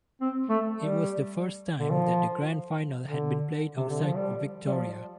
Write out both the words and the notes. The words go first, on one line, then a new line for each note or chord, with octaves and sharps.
It was the first time that the Grand Final had been played outside Victoria.
C4
A3
G3
D3
F3
D3
C3
D3
F3
G3
G3
F3